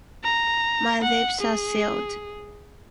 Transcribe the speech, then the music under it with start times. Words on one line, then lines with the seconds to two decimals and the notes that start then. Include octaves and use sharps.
My lips are sealed.
0.24 A#5
1.02 F#5
1.41 G#4